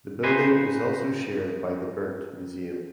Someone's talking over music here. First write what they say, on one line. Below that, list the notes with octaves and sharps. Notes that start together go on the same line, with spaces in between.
The building is also shared by the Berndt Museum.
F2 D#4 B4 C5 G#5 C6